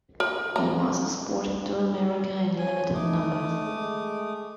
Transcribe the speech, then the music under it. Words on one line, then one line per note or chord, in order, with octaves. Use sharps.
It was exported to America in limited numbers.
A#4
A#5
C#5 G#5
A3 D#4 D6 D#6
G#3